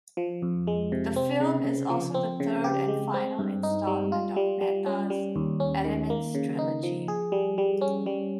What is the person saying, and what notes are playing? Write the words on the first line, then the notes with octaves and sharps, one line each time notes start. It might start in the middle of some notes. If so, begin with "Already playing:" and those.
The film is also the third and final instalment of Mehta's "Elements trilogy".
F3
F2
G#3
C3
C4
C#3
C#3
F3
C4
C#3
G4
G#3
C4
G2
D#4
G3
F4
G3
G3
C#4
G3
D#2
C#4
D#3
A#3
C#3
D#4
F3
G#4
G3
G3
C#4
G3